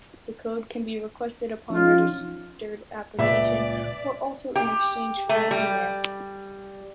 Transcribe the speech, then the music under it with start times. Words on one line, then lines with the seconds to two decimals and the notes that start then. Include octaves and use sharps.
The code can be requested upon registered application or also in exchange for an email.
1.70 F3 C#4 D#4 F4
3.19 C#2 A#2 B4 D5 E5
4.56 G4
5.29 A3
5.51 G3